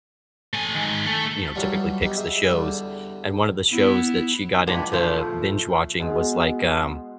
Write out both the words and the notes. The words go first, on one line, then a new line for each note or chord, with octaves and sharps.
you know, typically picks the shows. And one of the shows that she got into binge-watching was, like, um,
A3 G#5
D#3 G#3
A3
E3 F#3 G3 D4 F4 F#4
G3 B3 D#4
G#4 D#5 E5
E2 D3 G3
B3 E4
F2 A#2 G#3 B3 D4
A#2 F3 A3
B2 G#3